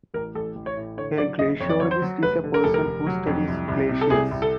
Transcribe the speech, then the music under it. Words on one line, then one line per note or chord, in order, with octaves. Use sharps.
A glaciologist is a person who studies glaciers.
A1 A#4
A1 A4
A1
C#5
A2
D3 C#5
F#3 D5
F#1 D#5
F2 C#5
D5
F#3 C#5
C5
F#3
F1 B4
D3
A#4
F1 A4
A#4
F1
F#3
F2
C2
C2
C3
A4
C2 G#4
C2
A4